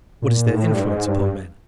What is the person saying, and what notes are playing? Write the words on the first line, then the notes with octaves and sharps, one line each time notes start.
What is their influence upon men?
A#2
G#2
A2
G2
G#2
G2